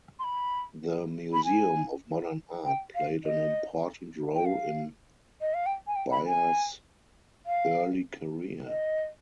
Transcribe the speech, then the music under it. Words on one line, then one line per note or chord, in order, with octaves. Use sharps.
The Museum of Modern Art played an important role in Byars's early career.
C6
B5
B5
G#5
G5
F5
D#5
G5
F5
D#5
F5
G5
G#5
G5
B5
G#5
F5
D#5